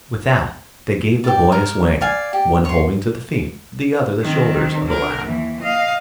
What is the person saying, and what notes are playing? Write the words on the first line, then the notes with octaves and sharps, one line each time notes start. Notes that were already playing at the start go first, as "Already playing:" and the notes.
With that they gave the boy a swing, one holding to the feet the other the shoulders of the lad.
G4 D5
A#4
D5 F5 G#5
G4
C#5 C6
D#3 C4
D3 A#4
D#2 E3
D#5 F5